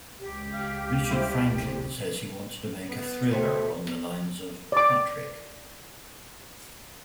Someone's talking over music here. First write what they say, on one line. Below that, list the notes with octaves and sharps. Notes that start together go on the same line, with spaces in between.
Richard Franklin says he wanted to make a thriller along the lines of "Patrick".
C#2 G4
F5
G3 E4 C5
F1 C2 C3
B3
B2 A3 G4 C5
D5 D6